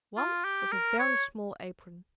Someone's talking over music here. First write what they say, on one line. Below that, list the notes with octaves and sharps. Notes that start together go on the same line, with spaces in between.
One was a very small apron.
F4
G4
A#4
C#5